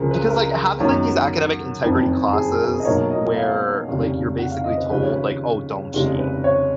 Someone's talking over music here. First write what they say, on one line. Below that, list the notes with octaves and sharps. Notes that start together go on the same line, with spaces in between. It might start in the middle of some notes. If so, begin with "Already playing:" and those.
because, like, having, like, these academic integrity classes where, like, you're basically told, like, "Oh, don't cheat,"
Already playing: C#2 C#3 F3 G#4 A#4
B4
A#4
F#2 D#3 F#3 B3
F#1 F2 D#3
G#4
A#4
D#5
B1 B2 F#3 A#3 C#5
D#5
F5
F1 D#2 C#3
F#5
F5
D#5
B4
D#2 C#3 F3 B4
C#5
B4
F1 D#2 C#3 G#3
B4
C#5